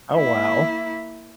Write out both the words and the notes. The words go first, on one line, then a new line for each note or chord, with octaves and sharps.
Oh, wow.
A#3 E4